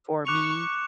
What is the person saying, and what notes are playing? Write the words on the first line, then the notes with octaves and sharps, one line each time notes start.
for me,
C#6 D6 F#6 C#7 F7